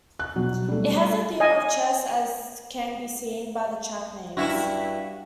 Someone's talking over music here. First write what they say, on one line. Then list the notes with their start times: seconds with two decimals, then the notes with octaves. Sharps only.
It has a theme of chess as can be seen by the track names.
0.19 F#6
0.36 B2 F#3
0.68 G3 A3
1.40 D#5 G#5
4.37 G2 E4 F#4